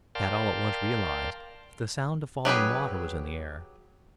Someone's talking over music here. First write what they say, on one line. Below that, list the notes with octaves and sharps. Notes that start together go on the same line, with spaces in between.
Tad all at once realized that the sound of falling water was in the air.
A#4 D5 F5 G5 A5 C6
F#3 G4 G#4 B4